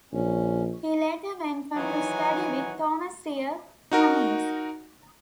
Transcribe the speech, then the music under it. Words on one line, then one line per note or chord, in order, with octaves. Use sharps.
He later went on to study with Thomas Seir Cummings.
A#1 C#4
D#3 E3 F#3 D#4 F#5 G#5
D#4 F#4 A#4